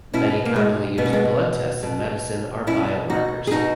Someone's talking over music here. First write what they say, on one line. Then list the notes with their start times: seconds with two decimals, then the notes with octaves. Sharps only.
Many commonly used blood tests in medicine are biomarkers.
0.13 B2 C#4 E4
0.45 A#3
0.56 G#3
0.98 B2 B3
1.06 C#4
1.13 G#3 B3
1.83 B2
2.67 B2 C#4 E4
3.10 D#4 F#4
3.47 G#4
3.51 B2 D#4 F#4